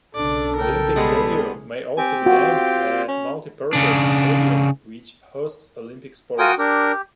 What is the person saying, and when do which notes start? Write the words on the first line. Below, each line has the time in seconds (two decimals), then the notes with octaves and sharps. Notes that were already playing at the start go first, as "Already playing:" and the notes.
Olympic Stadium may also be named a multi-purpose stadium which hosts Olympic sports.
0.15 B1 C#3 D4 A4 D5
0.56 A#4 G5
0.96 G3 G#3 B3 G#4
1.97 C4 G4 G#5
2.26 F4 F#4
3.08 C#4
3.73 C#3 D4
6.39 F4 F#4 A#4 G5 G#5 D#6
6.58 D4 G4 A#4